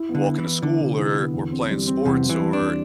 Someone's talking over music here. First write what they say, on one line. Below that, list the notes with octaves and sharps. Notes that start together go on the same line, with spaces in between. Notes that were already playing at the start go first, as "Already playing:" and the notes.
walking to school or or playing sports or
Already playing: E4
B3
D3
E4
E3
B3
D3 E3
C3
E3
B3
E2
C4
G3
C4
E2 C3
E2
E3
G3
D4
E2